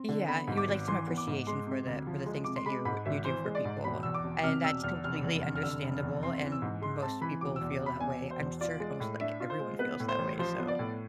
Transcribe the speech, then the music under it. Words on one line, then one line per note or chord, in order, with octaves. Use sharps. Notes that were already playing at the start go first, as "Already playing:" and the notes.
Yeah, you would like some appreciation for the for the things that you you do for people, and that's completely understandable, and most people feel that way I'm sure almost, like, everyone feels that way, so,
Already playing: C4
D3
B3 B5
G#2
D6
G#1
E3 C6
B3
D6
G#2
G#3 C6
C3
D2
F3
G#3
C3 D6
C6
G#3 B5
G#2 B5
G#1 E5
E3 C5
G#3
D5
G#2
E1 B5
E2 E6
D6
E1
C3 F6
E1 E6
E2 F6
F1 F6
E2
F1
F6
D3 E6
F1
E2
C4 C6
E3
E6
G#2
G#3 C6
C4 A5
E3 B5
E1 D6
E6
E2
E1 B5
B2 G#5
E1
C5
E2
F4 D5
G#3
A2
D4 E5
F4
C5
G#3
B3 B4
A2
C5
A1
F3 C5
B3
D5
A2